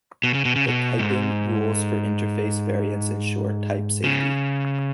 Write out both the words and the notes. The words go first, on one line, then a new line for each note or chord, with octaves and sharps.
The typing rules for interface variance ensure type safety.
B2
C#3
B2
C#3
B2
G#2
C#3